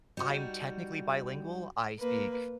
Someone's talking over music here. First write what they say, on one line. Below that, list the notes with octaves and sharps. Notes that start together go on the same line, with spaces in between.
I'm technically bilingual, I speak
G3 D#4 F#4
A#3 B4